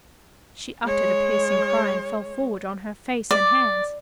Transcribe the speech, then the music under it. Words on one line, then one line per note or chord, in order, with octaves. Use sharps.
She uttered a piercing cry, and fell forward on her face and hands.
G#3 C#5
D5